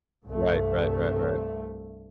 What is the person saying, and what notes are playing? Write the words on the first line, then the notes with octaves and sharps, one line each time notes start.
Right, right, right, right.
C2 G2 C3 A3